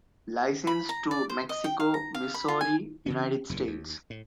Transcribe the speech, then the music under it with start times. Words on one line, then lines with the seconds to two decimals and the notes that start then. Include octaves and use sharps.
Licensed to Mexico, Missouri, United States.
0.67 B5
0.89 A#5
1.11 D5
1.30 C5
1.49 D#5
1.64 G5
1.80 F5
1.94 A#5
2.14 F5
2.34 B5
2.48 F4
2.61 G#5
3.06 C#3 E3 C#4
3.49 F#1 E2 A#2
3.67 D#2
4.10 A2